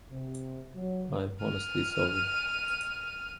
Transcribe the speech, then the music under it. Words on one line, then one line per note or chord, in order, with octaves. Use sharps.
I'm honestly sorry.
C3
F#3
F6 D#7